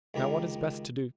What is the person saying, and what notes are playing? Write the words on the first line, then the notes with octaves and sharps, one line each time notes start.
Now what is best to do?
C#2 D#3 G4 A#4